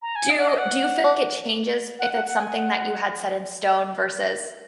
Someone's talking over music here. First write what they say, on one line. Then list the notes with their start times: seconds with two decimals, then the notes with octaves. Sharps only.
Do do you feel like it changes if it's something that you had set in stone versus
0.02 A#5
0.16 G#5
0.30 D#5
0.39 F#5
0.48 D#5
0.58 F#5
1.99 F#5
2.13 F#5
2.26 F#5
2.40 G#5
2.55 F#5